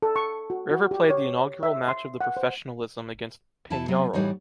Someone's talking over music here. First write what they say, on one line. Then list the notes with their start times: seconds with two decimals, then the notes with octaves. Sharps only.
River played the inaugural match of the professionalism, against Peñarol.
0.02 A4
0.16 C#6
0.50 F#4
0.71 F#4
0.91 G4
1.10 C#5
1.63 E5
1.88 C6
2.21 F#5
2.37 C5
3.70 E2 E4 F4 A4 A5
3.88 C3 F#3 B3
4.13 A2 E3 G3 D#4 F#4 C#5